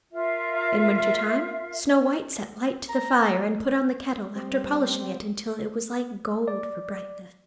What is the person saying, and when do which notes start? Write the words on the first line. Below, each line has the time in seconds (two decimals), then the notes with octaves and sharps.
In winter-time Snow-White set light to the fire, and put on the kettle, after polishing it until it was like gold for brightness.
0.12 F4 A#4 E5 F5
2.89 A#5
4.35 G3 C4
6.48 D5